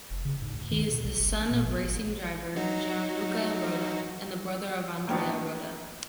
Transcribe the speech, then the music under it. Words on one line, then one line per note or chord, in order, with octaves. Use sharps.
He is the son of the racing driver Gianluca Roda, and brother of Andrea Roda.
F1
C#3
G#2
D2
D#3
B2
B1
F#1
A1
A#2
A1
G#1
F#3 D#4 F#4
D#2 A2 D#3 B3 D4